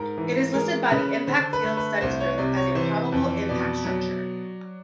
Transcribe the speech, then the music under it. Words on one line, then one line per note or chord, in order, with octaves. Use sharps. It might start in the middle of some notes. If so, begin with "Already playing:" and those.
It is listed by the Impact Field Studies Group as a "probable" impact structure.
Already playing: G#2 A#4
E3
G#3 A#4
C#3 B4
D3 C5
B4
A3
B4
C2 C5
C#5
C3 D5
C#5
E3 C5
F2
B2 D5
F#3